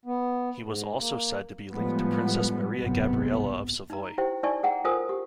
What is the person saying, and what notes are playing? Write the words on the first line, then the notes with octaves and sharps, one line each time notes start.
He was also said to be linked to Princess Maria Gabriella of Savoy.
B3
G#2
A#3
A2 F3 G3 G#3 B3
F#1 B1 G#2 C3 B3
D#4 A#5
E4 G4 C5 G5
D#4 E4 D5 G#5 A5 C#6
G#4 F#5 G5 A#5
F4 A4 A#4 C5 G#5 D#6
G4